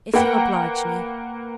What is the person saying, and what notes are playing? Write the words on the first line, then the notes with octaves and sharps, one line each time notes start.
"If you oblige me."
A#3 B4 F#5 G5 A#5